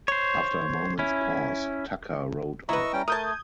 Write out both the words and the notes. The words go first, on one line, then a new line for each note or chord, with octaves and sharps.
After a moment's pause, Tucker rode off.
C5 C#5
C#4 E4
E4 B4 D#5 A#5 C#6 E6
G3 C#4 G5
A3 A#4 A5 D#6 G6 G#6